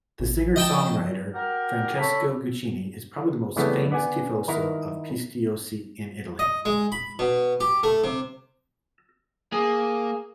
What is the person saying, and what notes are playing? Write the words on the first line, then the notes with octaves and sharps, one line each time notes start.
The singer-songwriter Francesco Guccini is probably the most famous "tifoso" of Pistoiese in Italy.
A1
F3 D#5 G5 A5
F#4 G4 A#4
D4 A4 C#5 B5
C#3 E3 G3 A3 B3 C4
B3 D5 F#5 G#5
D#3 E4 A#4 F#5 A#5
D#5
G#3
B5
B2
G4
A3
C3
A#3 G#4